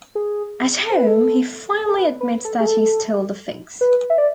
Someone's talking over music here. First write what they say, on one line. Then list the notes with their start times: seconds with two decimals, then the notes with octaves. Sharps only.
At home he finally admits that he stole the figs.
0.15 G#4
0.90 C5
0.98 B4
1.07 A4
1.89 A4
1.98 B4
2.21 B4
2.45 A4
2.60 G#4
2.66 A4
3.81 B4
4.10 E5
4.18 D5